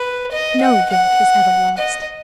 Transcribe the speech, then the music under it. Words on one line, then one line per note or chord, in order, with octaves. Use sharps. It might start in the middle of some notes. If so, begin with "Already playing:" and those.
No good is ever lost.
Already playing: B4
D#5
F#5
F#5
D#5